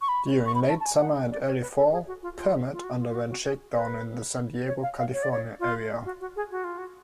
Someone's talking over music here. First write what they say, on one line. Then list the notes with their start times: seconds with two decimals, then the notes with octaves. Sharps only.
During late-summer and early-fall, "Permit" underwent shakedown in the San Diego, California, area.
0.01 C#6
0.08 B5
0.46 C#6
0.55 B5
0.69 A5
0.80 A5
0.85 G#5
1.01 F#5
1.31 D5
1.46 C#5
1.61 B4
1.77 A4
1.92 G#4
2.07 F#4
2.23 F4
2.38 F4
2.73 F4
2.84 F#4
2.99 F4
3.10 F4
3.15 F#4
3.30 F#4
3.46 G#4
3.75 B4
4.68 C#5
4.83 F5
4.98 F5
5.13 C#5
5.23 D5
5.32 C#5
5.60 F4
6.05 F#4
6.21 F#4
6.36 G#4
6.51 F#4
6.64 F4
6.78 F#4